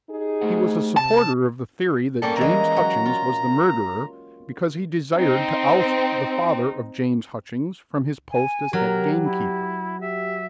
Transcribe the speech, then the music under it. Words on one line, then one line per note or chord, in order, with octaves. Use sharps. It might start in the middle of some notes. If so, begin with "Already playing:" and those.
He was a supporter of the theory that James Hutchings was the murderer because he desired to oust the father of James Hutchings from his post as head-gamekeeper.
D#4 G4 G#4
A3 C5 F#5
C3 A5
G3 A#3 C#4 A4
E3 G#3 A#5
F#3
F4
C4 D#4
G#5
F#3 G4 A#4
E4
G4 E5